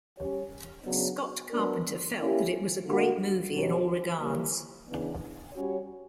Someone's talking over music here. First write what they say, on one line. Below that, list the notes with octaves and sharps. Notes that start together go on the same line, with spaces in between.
Scott Carpenter felt that it was a "great movie in all regards".
G3 C#4 G4 C#5
C#3 F#3 B3 D4
F#3 B3 D4 A#4
A#3 C#4 E4 G4
D3 A#3 D4 F#4 A#4
B2 F#3 C#4 G4 C#5
E3 G3 A#3
C#3 E3 B3 D4
G3 C#4 F#4 C#5